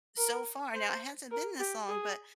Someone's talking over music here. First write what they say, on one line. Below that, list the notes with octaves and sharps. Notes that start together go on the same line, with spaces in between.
so far. Now it hasn't been this long, but
A#4
C5
A#4
G4
G#4